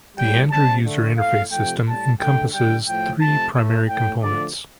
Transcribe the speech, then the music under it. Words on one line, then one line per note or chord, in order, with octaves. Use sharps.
The Andrew User Interface System encompasses three primary components.
A2 G3 G5
C3 G3 A5
D3 A3
A2 A3 F5
C3 F3 A3 G5
A2 G3 A5
D3 A3 G5
D3 G3 G5
A2 F3 A3 G5
C3 F3 A3 A5
A2 A3
A2 A3 G5
D3 F3 A3 D5